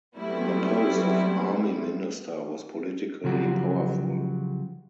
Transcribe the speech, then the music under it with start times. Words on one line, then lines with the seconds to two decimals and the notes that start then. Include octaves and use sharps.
The post of Army Minister was politically powerful.
0.18 F#3 G3 A3 B3 C4 E4
3.24 C#3 F3 F#3 F#4 G4